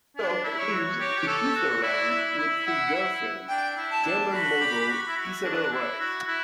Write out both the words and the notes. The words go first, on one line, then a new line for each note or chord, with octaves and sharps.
Glock lives in Switzerland with his girlfriend, German model Isabell Reis.
D4
E4
C#5
F#4
G4 C#5
G4
A4
F#4
E4 D5
E4
E4
E4 F#5
E4
D4 G5
E4
A5
D4
F#4 B5
G4
F#4
E4
F#4
D4
E4
F#4
E4